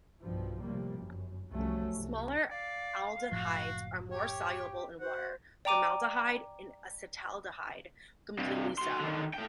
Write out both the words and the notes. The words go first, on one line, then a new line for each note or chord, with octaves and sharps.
Smaller aldehydes are more soluble in water, formaldehyde and acetaldehyde completely so.
B1 G2 B2 F3
A2 C3 F3 G3 A#3
G1 F#2
C2 F3 F#3 A3 C#4
C2
D5 F5
F#1 A2 F3 F#4
G4 C#5 G5
F#4 C5 F#5
D5 G5 A#5 D6 D#7
G2 C3
F#4 C6
D3 D#3
A3 G5